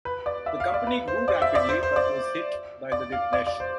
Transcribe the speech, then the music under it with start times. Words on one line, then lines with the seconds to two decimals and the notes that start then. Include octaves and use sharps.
The company grew rapidly, but was hit by the depression.
0.05 B4
0.26 D5
0.46 E5
0.60 F5
0.74 D5
0.87 B4
1.08 C5
1.28 D5
1.42 E5
1.55 D5
1.69 C5
1.83 C5
1.96 D5
2.92 D5
3.12 F5
3.33 D5
3.47 D5
3.60 C5